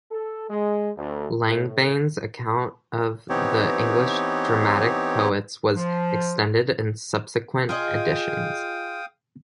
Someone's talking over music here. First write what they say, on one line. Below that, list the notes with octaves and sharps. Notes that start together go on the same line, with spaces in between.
Langbaine's "Account of the English Dramatic Poets" was extended in subsequent editions.
A4
G#3
D2
A2
E3 B3 C4 D#4 G4 C#5
F3
F4 G#4 D#5 F5 G5 D#6